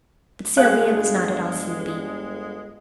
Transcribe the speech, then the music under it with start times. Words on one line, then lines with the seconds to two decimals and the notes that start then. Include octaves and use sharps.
But Sylvia was not at all sleepy.
0.57 G1 G#3 F#4 G#4 A4 F5 F#6